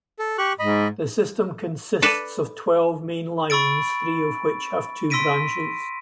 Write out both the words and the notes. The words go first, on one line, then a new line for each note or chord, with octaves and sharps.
The system consists of twelve main lines, three of which have two branches.
A4
G4 C#6 F#6
G#2 D#5 B5
A4 B4 D5
B5 C#6 E6 A6 D7
C6 E6 A#6 B6 D7 D#7